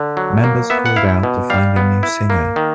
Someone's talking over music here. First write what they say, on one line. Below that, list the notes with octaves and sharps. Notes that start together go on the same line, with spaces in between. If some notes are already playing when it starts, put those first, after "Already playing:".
Members called out to find a new singer.
Already playing: D3
F#3
A#3
B3 E5
F#5
E4 F5
B2
G3 F5
B3
E4
A#3
D#3